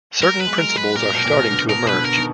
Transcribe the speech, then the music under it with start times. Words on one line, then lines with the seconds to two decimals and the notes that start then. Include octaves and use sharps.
Certain principles are starting to emerge.
0.22 F#3 A#4
0.41 B4
0.46 G#3
0.58 A#4
0.72 G#3
0.77 B4
0.95 A#2 A#4
1.14 B2
1.25 A#2
1.32 B2
1.51 D3
1.69 B2 A#4
1.85 B2 B4
1.93 D3
2.05 A#4
2.18 D#3